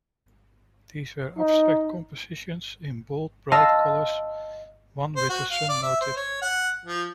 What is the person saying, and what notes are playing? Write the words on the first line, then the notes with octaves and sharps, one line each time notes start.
These were abstract compositions in bold, bright colours, one with a sun motif.
D#4
D#5 F5 A5 C6 E6 A#6
C5
F#4
F5
D5
E5
C5
C#5
F#5
F3